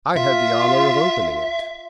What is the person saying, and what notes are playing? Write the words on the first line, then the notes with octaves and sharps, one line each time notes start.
I had the honour of opening it.
F4 E5